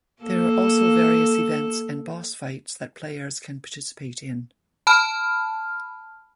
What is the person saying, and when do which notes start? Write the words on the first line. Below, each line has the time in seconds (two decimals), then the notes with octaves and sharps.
There are also various events and boss fights that players can participate in.
0.22 A#3 A4
4.87 A5 B5 F6